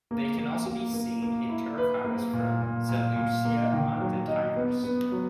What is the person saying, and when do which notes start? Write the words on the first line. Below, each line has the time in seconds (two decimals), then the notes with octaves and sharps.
They can also be seen in terracottas from Seleucia on the Tigris.
0.11 A#3
0.38 A#3
0.65 A#3
0.93 A#3
1.22 A#3
1.49 E4
1.78 B4
2.05 A#3
2.33 A#2
2.61 A#2
2.89 A#2
3.16 A#2
3.45 A#3
3.73 D#3
4.01 F#3
4.28 D#4
4.56 B3
4.84 B3
5.12 F#3